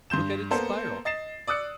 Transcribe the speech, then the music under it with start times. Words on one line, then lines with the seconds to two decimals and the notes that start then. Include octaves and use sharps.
"Look at its spiral!"
0.10 G2 C6 G6 E7
0.51 A#3 B3 A4 C5
1.05 D#5 A6 C7 E7
1.47 D5 D#6 E6 F#6 C#7